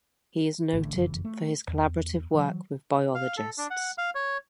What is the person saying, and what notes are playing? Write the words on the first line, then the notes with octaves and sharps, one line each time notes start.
He is noted for his collaborative work with biologists.
A1 A2 D3
F#1 F2 C#3 E3
A3
E2
E3 F#3
F5
A4
D4
F#5
F5
C#5